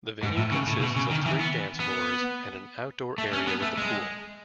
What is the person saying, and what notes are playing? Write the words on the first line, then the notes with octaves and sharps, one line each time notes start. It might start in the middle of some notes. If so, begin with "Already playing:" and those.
The venue consists of three dance floors and an outdoor area with a pool.
G#2
A2
C#3
A2
B2
C#3
D#3
E3
B3
B3
A3
C#4
B3
A3
G#3